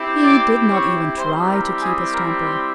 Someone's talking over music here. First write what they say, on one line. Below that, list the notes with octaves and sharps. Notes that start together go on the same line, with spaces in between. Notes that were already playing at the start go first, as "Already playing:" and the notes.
He did not even try to keep his temper.
Already playing: C4 E4 G4
D5 D6
C#5 C#6
G3 C4 E4 G4 C5 C6
A#4 A#5
G#4 G#5
A#4 A#5
C6